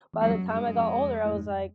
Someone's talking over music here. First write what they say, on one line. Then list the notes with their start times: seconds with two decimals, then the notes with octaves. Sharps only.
by the time I got older, I was like,
0.13 E2
0.21 G#2 F#3
0.29 G2
0.35 F#2
0.50 G#3
0.56 G2
0.68 F#2
0.78 F2
1.25 A2
1.37 G#2